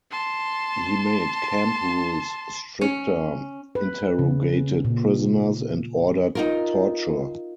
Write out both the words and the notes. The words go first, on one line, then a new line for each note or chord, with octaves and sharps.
He made camp rules stricter, interrogated prisoners and ordered torture.
A5 C6
C#4
B4
C#3
A#2
D#4 F4 A#4